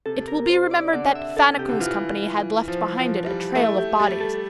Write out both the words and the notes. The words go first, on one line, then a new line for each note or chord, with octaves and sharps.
It will be remembered that Fannicot's company had left behind it a trail of bodies.
C3 A4
A#4
C5
D5
D3 D5
E5
A4
C3 G4
D3
E3 F4
F3
F3
G3
A3 E4
G4
G3 A4
A4